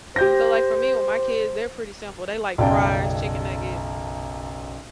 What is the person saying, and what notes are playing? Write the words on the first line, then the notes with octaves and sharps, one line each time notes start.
So, like, for me, with my kids, they're pretty simple. They like fries, chicken nugget,
G4 C5 G6 A#6
B1 F#2 C#3 D5 G5 A5